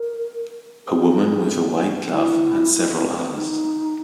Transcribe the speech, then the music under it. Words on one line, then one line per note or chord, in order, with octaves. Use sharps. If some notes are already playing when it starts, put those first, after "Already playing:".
A woman with a white glove and several others.
Already playing: A#4
G#4
E4
D#4